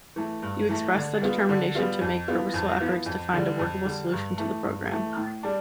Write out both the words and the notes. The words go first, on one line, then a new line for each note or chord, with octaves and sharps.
You expressed the determination to make purposeful efforts to find a workable solution to the work program.
E3 A3
G2
E3 A3
D3
G3 B3 F4
D3
G3 B3 F4
F2
E3 B3 F4
F2
E3 B3 F4
F2
D3 G3
F2
D3 G3
G2
E3 A3
G2
E3 A3
A2
G3 D4